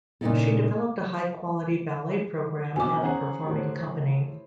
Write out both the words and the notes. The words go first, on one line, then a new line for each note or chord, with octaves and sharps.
She developed a high quality ballet program and performing company.
A#2 C#3 F3 D#4 E4 A4
B2 F#3 B3 C4 D4 G#5 D6
C#4 G#4 C5 F#5 A#5
A2 E4 G4 C5